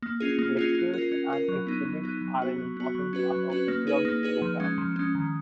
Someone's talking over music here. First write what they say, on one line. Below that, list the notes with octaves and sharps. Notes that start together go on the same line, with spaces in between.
Lectures and exhibits are an important part of the club's program.
A#3
C#4 F4 G#4
A#3
C#4 F4 G#4
C#4
F4 A#4
C#4
F4 A#4
F#3
B3 D#4
F#3
B3 D#4
F#3
B3 F#4
F#3
B3 F#4
F#3
C#4 F#4 B4
F#3
C#4 F#4 B4
A#3
D#4 G#4 B4
A#3
D#4 G#4 B4
F3
G#3 C#4
F3
G#3 C#4
D#3